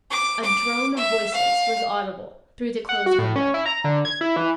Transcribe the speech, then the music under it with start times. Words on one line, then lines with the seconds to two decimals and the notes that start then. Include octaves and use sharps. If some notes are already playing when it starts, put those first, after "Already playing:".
A drone of voices was audible through the closed window.
0.11 D6
0.43 D6
0.97 E5
1.33 F5
2.89 F#5
3.06 F#4
3.19 A2
3.36 C#4
3.54 E4
3.66 A#5
3.84 D3
4.05 G#6
4.21 E4
4.36 E3